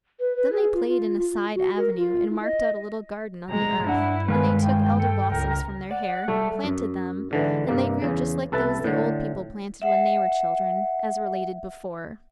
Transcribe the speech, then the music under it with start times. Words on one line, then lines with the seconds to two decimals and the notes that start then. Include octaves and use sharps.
Then they played in a side avenue, and marked out a little garden on the earth; and they took Elder-blossoms from their hair, planted them, and they grew just like those the old people planted when they were children, as related before.
0.20 B4
0.37 B4
0.52 G#4
0.74 F4
0.88 F4
1.19 F4
1.55 F#4
1.78 A#4
1.97 F4
2.30 E4
2.43 D#5
3.50 G#3 A#5
3.87 G2 D4 E4 F#5
4.28 D#3 G#3 B4 F5 G#5
4.61 G5
5.00 A4
5.32 C#2 A#4 G5
5.91 D5 F#5
6.28 G3 A3
6.64 F#2
7.31 G#2 D3 E3
7.68 G2 C3 A#3
8.02 E2 C#3
8.52 C2 A4 B4 E5 A5
8.84 A2 D3
9.82 E5 F#5